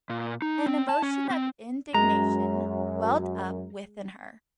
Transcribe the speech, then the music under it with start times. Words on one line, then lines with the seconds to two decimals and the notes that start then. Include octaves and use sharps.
An emotion of indignation welled up within her.
0.10 A#2
0.42 D#4
0.66 C4
0.89 A5
1.02 C#4
1.30 C4
1.94 F#2 G#3 A#5